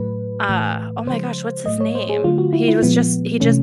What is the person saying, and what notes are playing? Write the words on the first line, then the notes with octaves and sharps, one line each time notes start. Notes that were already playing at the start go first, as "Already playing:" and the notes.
uh oh my gosh, what's his name? He was just he just
Already playing: A2 F#3 A3 B4
A2 E3 A3
C#3 F3 G#3 C5
A2 F#3 A3 D#5
C#5
C5
G#4
D3 F#3 A3 F4
F#4
E4
E4
A#2 F3 G#3 B3
C3 E3 A3 C#4